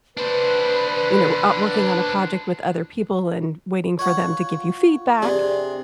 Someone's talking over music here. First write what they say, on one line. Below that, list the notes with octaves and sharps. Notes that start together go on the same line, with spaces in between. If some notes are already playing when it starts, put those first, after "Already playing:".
you know, uh, working on a project with other people and waiting for them to give you feedback.
D4 B4 C5
F4 C#5 F#5
C3 D4 G#4 D5